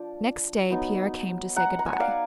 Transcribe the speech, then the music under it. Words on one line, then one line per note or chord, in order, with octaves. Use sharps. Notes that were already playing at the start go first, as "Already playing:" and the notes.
Next day Pierre came to say good-by.
Already playing: F3 D4 D5
F#3 B3 D#4
F#5 A#5
A#5
G#5
F#5
D5 F5